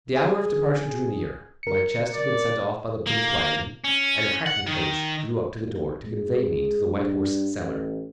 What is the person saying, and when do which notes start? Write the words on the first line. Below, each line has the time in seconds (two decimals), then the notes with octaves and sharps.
The hour of departure drew near; my chest had been sent off by the Plymouth waggon, and a hackney-coach drew up to the door, to convey me to the White Horse Cellar.
0.16 G#4
1.63 A#4 C#7
2.14 D5
3.07 A#3
3.84 C#4
4.46 F#5
4.67 D#3
5.62 D#2
6.06 G#3
6.90 G2
7.57 A1